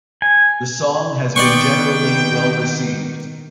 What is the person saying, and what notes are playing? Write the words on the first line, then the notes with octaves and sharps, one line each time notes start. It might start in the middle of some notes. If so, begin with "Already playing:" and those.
The song has been generally well received.
G#5
D#3 B3 D5 G5 C6 C#6